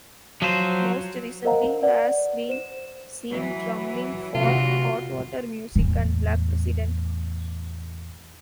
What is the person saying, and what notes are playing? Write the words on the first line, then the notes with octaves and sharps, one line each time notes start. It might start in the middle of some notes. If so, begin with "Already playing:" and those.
Most recently, he has been seen drumming for Hot Water Music and Black President.
F3 F#3 C5
A#4 C5 D#5 F5 F#5 A#5
B4 D5 F#5
C5 E7
E3 F#3
D2 C3 E3 F4 F#4
E2 A2